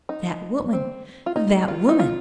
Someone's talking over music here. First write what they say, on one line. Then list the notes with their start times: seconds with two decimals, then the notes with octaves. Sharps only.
"That woman--that woman!"
0.09 D#4
0.73 C4
1.26 F4
1.36 D#4
1.68 F4
1.89 D#4
1.99 F4